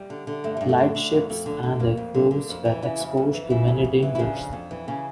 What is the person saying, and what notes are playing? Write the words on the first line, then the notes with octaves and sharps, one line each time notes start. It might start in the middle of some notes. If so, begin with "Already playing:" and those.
Lightships and their crews were exposed to many dangers.
Already playing: G3
D3
D3
G2 A3
G2 G3
A3
D3
D3
F2
F2
D3
D3
F2 A#3
F2
D3
D3
F2
E3
C#3 E4
F2
F2
E3
C#3 E4
F2
F2
E3
E4
C#3 D4
F2
F2
E3
C#3 C#4